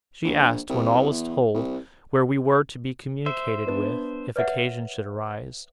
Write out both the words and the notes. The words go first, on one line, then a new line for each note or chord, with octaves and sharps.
She asked, when all was told, where we were to be communicated with, if occasion should arise.
A#1
C2
E2
C2
C5 E5
B3 D4
B4 C#5 E5 F#5